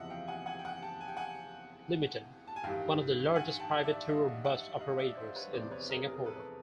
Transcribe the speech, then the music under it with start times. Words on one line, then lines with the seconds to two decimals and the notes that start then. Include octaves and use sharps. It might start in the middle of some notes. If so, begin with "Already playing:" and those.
Ltd., one of the largest private tour bus operators in Singapore.
Already playing: F#1 E2 C3 F3 D#5 E5 F#5
0.10 F5 G5
0.28 F#5 G#5
0.46 F#5 G#5
0.59 G5
0.65 F#5 G#5
0.82 G5 A5
1.01 G#5
1.08 G5
1.17 F#5 G#5
2.48 A5
2.56 G#5
2.64 A1 G2 D#3 G3 F5 G5
3.36 F#5 G#5
3.60 G5 A5
3.84 D5 E5
4.08 D#5 F5
4.44 E5 F#5
4.81 D#5 F5
4.99 D5 E5
5.17 C5 D5
5.36 B4 C#5
5.53 F1 E2 C3 E3 C5 D5
5.71 B4 C#5
5.90 G#4 A#4
6.08 G#4 A#4
6.26 A4 B4